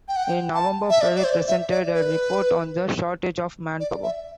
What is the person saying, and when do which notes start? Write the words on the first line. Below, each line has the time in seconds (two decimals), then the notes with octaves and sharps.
In November Ferry presented a report on the shortage of manpower.
0.08 G5
0.16 F#5
0.24 G5
0.54 A5
0.90 E5
1.01 D5
1.15 D5
1.24 C5
1.48 E5
1.71 D5
1.94 B4
3.80 D5
4.03 E5